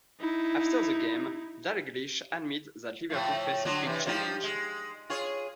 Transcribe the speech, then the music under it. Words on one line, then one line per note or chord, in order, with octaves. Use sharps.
After the game, Dalglish admitted that Liverpool faced "a big challenge".
D#4 E4
A2 F3 A3
D3 F#3 D4
C3 E3
F3 D#4 G4
G#3
F4 G#4 C#5